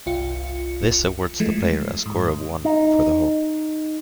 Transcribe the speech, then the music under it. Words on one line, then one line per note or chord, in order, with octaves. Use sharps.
This awards the player a score of one for the hole.
G1 C2 F4 C#7
E3 F3 G#3 A3
G#2
D#4